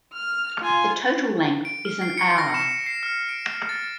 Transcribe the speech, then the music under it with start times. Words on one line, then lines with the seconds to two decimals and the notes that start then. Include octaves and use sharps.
The total length is an hour.
0.13 F6
0.61 F4 G#5
1.65 D7
1.85 F6
2.01 C7
2.18 C#7
2.38 A#6
2.54 E7
2.86 C7
3.03 F6
3.29 D7
3.69 A6